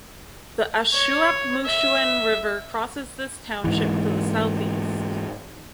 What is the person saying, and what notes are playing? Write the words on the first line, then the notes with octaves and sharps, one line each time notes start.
The Ashuapmushuan River crosses this township to the southeast.
C#5
E5
G#2 E3